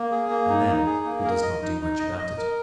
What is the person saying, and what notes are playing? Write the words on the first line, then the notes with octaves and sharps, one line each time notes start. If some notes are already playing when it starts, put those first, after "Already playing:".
And then he does not do much about it.
Already playing: A#3
G#4
A#3
D#4
D#4
G#4
A#3
A#4
D#5
D#4
D#4
D#5
D#5
A#4